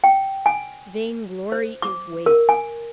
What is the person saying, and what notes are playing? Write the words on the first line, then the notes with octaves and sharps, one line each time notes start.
Vain-glory is waste.
G5
G#5
C5
D6
A#4
G#5